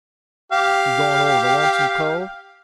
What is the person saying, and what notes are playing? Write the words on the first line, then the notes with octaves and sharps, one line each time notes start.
"You goin' over to Lonesome Cove?"
G4 F5